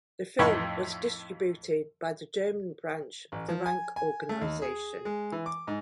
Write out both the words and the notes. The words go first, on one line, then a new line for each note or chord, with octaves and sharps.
The film was distributed by the German branch of the Rank Organisation.
F2 A2 D#4 G5 B5 C#6
A1
F3
G#5
G#5
A3
D#2
G#4
G#3
E3
D6
G#2